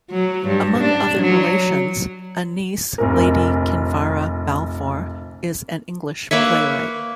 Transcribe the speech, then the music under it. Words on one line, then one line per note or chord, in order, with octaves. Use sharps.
Among other relations, a niece Lady Kinvara Balfour is an English playwright.
F#3
G2
D4
F#3
F1 A#1 A#4
A#3 B4 C#5 E5